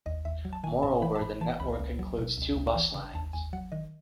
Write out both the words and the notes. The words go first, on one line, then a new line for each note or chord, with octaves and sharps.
Moreover, the network includes two bus lines.
D#2 D#5
D#2 E5
F#3
A5
D#3 G#5
G#2 A5
E3 B5
A5
G#2 B5
E3 A5
C#2 B5
C#2
F#3
B2
C#2
C#2
E3
C#3
D#2 A5
D#2 G#5
F#3 F#5
D#3 D#5